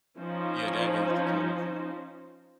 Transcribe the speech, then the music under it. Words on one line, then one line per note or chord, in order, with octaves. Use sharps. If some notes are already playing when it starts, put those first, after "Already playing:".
Yeah, that is crazy.
F3 C#4 D#4 C5